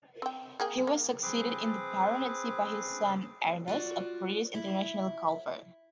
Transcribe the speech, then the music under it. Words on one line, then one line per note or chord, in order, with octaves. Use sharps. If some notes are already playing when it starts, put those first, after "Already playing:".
He was succeeded in the baronetcy by his son, Ernest, a British international golfer.
C4 G5
A#3 G#4 G5
A#3
C4 G#4 B4 D6
F4 F#4 D5
E4